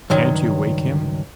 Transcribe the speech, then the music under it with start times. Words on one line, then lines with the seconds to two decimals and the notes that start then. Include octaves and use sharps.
Can't you wake him?
0.10 C#2 G2 D#3 F#3